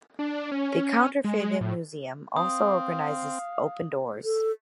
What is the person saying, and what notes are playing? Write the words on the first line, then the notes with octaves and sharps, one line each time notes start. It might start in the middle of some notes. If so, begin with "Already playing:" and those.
The Counterfeiting Museum also organizes Open Doors.
D4
C#4
G#3
A2
C4 F5 D#6
A4